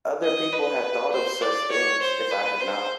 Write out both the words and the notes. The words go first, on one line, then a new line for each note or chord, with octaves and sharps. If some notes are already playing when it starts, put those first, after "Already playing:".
Other people had thought of such things, if I had not.
D#5
B4
C5
D5
C#5
C5
B4
C5